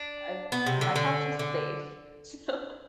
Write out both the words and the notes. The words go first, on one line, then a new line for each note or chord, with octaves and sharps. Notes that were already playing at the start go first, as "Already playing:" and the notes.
I've my couch is safe, so
Already playing: D4
B3
C3
D3
D3
D3